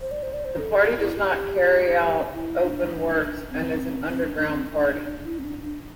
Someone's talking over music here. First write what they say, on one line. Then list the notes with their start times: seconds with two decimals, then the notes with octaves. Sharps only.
The party does not carry out open works and is an underground party.
0.01 C5
0.11 D5
0.23 C5
0.33 D5
0.45 C5
0.59 A4
0.78 G4
0.98 E4
1.17 G4
2.33 E4
2.63 D4
3.50 C4
4.08 C4
4.23 D4
4.37 D4
4.52 C4
4.66 D4
5.25 E4
5.39 C4
5.44 D4
5.64 D4